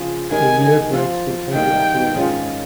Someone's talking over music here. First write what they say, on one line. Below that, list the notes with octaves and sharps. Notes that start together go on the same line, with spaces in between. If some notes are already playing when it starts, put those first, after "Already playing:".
The rear brakes were cable-operated.
Already playing: C#3 F3 C4 F4 G#4
D#3 G#3 D#4 G4 A#4 G#5
F3 C4 F4
G#2 D#3 G3 A#3 D#4 G5
G#2 D#3 G#3 C#4 F4